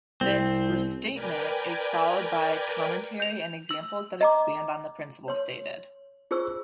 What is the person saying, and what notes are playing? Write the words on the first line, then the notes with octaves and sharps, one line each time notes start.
This "restatement" is followed by commentary and examples that expand on the principle stated.
C2 C4
A#4 B4 D5 G5 G#5
G6 F7
E6 F#7
D#5 A#5 D6
C#5 C6
F4 G#4 C5 C#6 E6